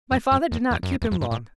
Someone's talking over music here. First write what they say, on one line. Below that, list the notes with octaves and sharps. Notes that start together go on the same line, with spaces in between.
My father did not keep him long.
F2
F#2
E2
E2
F#2
F2
E2
F2
G2
A2